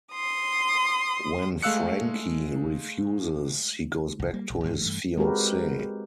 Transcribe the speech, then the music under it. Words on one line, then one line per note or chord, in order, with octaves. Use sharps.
When Francie refuses, he goes back to his fiancee.
C6 D#6
G#3 A3 F5 E6 F#6 C#7
C2
G3 A#3
A#1
D#2 G#2 B2
G2 E3 A3
G#3 C4 F#4 G4 A#4 B4